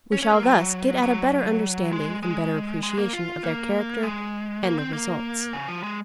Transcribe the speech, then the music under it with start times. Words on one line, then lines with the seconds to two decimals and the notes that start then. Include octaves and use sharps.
We shall thus get at a better understanding and better appreciation of their character and their results.
0.12 C#4
0.22 C#4
0.32 A#3
0.43 F#3
1.02 F#3
1.93 G#3
2.23 G#3
2.83 G#3
2.98 A#3
3.13 F4
3.43 A#3
4.03 G#3
4.63 A#3
4.79 C4
4.93 A#3
5.53 C#3
5.68 F3
5.83 G#3